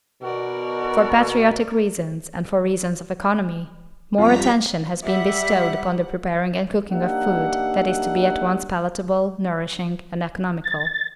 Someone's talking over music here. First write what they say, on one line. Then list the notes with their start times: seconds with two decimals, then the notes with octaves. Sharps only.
For patriotic reasons and for reasons of economy, more attention has been bestowed upon the preparing and cooking of food that is to be at once palatable, nourishing and economical.
0.22 B2 F#4 A#4 D5
4.18 F2 G3 F4 A#5 B6
5.03 G3 E5 F#5
6.91 A#3 D4 D#4 G4 E5 F#5
10.64 A6